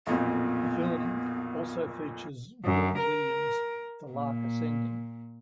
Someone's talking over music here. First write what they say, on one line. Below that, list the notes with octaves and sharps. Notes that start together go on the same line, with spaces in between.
The film also features Vaughan Williams's "The Lark Ascending".
B1 F2 A#2 B3
F#2
A#4
A#2